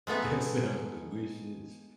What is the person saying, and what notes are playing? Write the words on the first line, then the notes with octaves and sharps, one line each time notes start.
that sounds delicious.
G#3 A3 B3 D#4